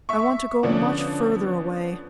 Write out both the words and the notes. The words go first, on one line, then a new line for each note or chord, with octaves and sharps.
I want to go much further away.
E5 C#6
D3 F3 B3 C#4 D4